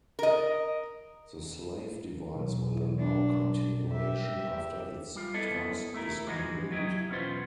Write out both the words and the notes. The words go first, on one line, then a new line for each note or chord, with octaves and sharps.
The slave device will allow continuation after its task is complete.
A#4 D#5
B1
D4
G4 E5
G3 F4
B3 E4 A4 D#5
A3 E4 A#4
E3 F3 G#3 D#4 F#4
F#3 E4 G4 D#5
B1 E2 B3 C#4 F4 C5